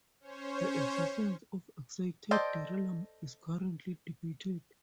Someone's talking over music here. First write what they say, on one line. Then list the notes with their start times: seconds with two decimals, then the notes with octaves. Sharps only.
The existence of excited delirium is currently debated.
0.20 C#4 C5 C#5
2.31 A4 C5 D5 D#5 G5